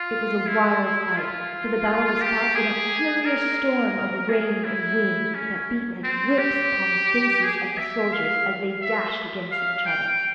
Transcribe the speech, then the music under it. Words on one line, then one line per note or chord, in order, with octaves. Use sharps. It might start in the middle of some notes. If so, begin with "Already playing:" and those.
It was a wild fight, for the battle was fought in a furious storm of rain and wind that beat like whips upon the faces of the soldiers as they dashed against each other.
Already playing: F4
E4
F4
G4
G#4
A#4
G#4
E4
C#4
C4
G4
G#4
E5
F5
E5
F5
G5